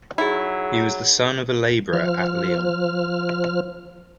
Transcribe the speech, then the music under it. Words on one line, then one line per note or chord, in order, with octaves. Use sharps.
He was the son of a laborer at Lyon.
F#3 D#4 E4 G#4
F3 F6